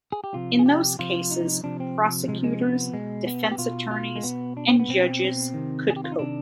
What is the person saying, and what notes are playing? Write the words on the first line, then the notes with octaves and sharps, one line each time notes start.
In those cases, prosecutors, defense attorneys, and judges could cope.
G#4
G4
C3 F3 F4
G#4
G4
C3 F3 F4
D#4
C3 F3 D4
C4
C3 F3 G#3
G#3
B3
B2 G#3
B3
G#4
G4
B2 F4
F4
G#3
B2 B3
D4
C4
B3
B2 C4
C3 D#3
G#4
G4
F4
D#4
C3 D#3 D4